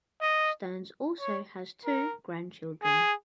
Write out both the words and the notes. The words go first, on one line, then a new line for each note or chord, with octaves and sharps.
Stearns also has two grandchildren.
D#5
C#5
A#4
G#4